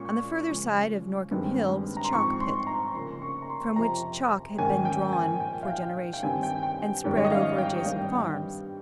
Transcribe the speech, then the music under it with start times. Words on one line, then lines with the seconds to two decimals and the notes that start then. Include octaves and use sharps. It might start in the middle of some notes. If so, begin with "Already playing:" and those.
On the further side of Norcombe Hill was a chalk-pit, from which chalk had been drawn for generations, and spread over adjacent farms.
Already playing: A#2 G#3 C#4 C#6
0.48 C#3 F3 G#3 C#4
1.31 G2 D#3 G#3 C4
1.97 A#5
2.04 C6
2.13 G#2 F3 C4 C#6
2.40 C6
2.67 A#5
2.94 C#3 F3 A#3 C#4 C6
3.22 C#6
3.42 A#5
3.50 C6
3.76 F2 C3 F3 A#5
4.58 G#2 D#3 A#3 C#4 G#5
4.85 G5
5.13 G#5
5.40 A#2 F3 A#3 G5
5.63 F5
5.67 G5
6.13 G5
6.23 G2 D#3 G3 C4 G#5
6.43 G5
6.63 G5
7.04 G#2 D#3 G3 C#4
7.17 C#5
7.24 D#5
7.31 F5
7.58 G5
7.86 G2 D#3 G3 C4 G5